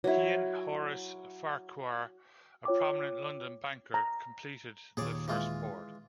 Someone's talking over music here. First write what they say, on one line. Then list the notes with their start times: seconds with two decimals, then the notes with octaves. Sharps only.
He and Horace Farquhar, a prominent London banker, completed the first Board.
0.04 F#3 E4
2.65 F4 C#5 G5 D6
3.94 A#5
4.97 D#2 A#2 G#4 C#5 D5
5.28 E3 G#3 F4